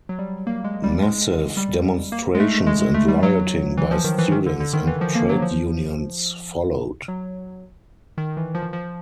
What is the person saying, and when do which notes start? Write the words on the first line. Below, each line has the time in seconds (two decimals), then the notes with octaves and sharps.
Massive demonstrations and rioting by students and trade unions followed.
0.09 F#3
0.19 G3
0.47 A#3
0.64 G#3
0.84 G3
1.02 G#3
1.57 G3
2.12 A#3
2.35 G#3
2.40 A3
2.67 G#3
2.81 G#3
2.94 A3
3.08 G3
3.23 F#3
3.77 E3
3.91 F3
4.04 D#3
4.18 E3
4.32 D#3
4.46 D3
4.60 D3
4.73 D#3
4.87 E3
5.01 F3
5.15 A#3
5.29 F#3
5.42 F3
7.08 F#3
8.18 D#3
8.37 E3
8.55 F3
8.73 F3